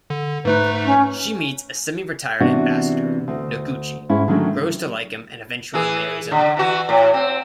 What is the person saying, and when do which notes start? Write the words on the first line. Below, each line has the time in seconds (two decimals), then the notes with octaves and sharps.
She meets a semi-retired ambassador, Noguchi, grows to like him, and eventually marries him.
0.10 D3
0.45 G#2 A3 D#4 B4
0.85 C#4
2.40 C3 E3 B3 D4 F#4
3.28 D2
4.09 G#2 C#4 E4
4.28 D3 D#3 F#3 A3 C#4
5.74 E3 G#4
6.31 D3
6.57 E3 F#4
6.89 A2
7.14 C4